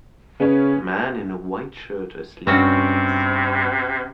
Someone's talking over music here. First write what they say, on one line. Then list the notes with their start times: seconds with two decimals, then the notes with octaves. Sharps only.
Man in a white shirt asleep at a desk.
0.40 C#3 B3 C#4
2.47 G2 C3 C4 C#4 F#4